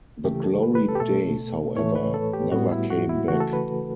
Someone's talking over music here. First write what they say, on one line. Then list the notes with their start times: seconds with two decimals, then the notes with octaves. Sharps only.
The glory days, however, never came back.
0.25 C#3 E3 A3 G4
0.44 A4
0.63 B4
0.75 B4
0.89 A4
0.95 G4
1.00 B2 A3 A4
1.77 A2 E3 A3 C#5
1.96 B4
2.14 A4
2.33 G4
2.52 A2 G3 B3 F#4
2.72 E4
2.90 F#4
3.09 E4
3.28 C#3 E3 A3 F#4
3.40 A4
3.53 B4